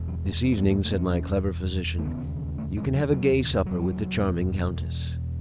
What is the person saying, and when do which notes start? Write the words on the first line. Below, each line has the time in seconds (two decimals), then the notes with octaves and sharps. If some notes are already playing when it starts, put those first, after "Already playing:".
"This evening," said my clever physician, "you can have a gay supper with the charming countess."
Already playing: E1 E2 B2
0.08 F#3
0.26 A3
0.44 C#4
0.52 A3
0.57 B3
0.70 A3
0.84 A3
0.91 B3
0.97 C#4
1.98 A3
2.05 E1 D#2 C#3 B3
2.58 A3
2.77 G#3
2.95 F#3
3.13 F#3
3.67 F#3
4.20 E1 E2 B2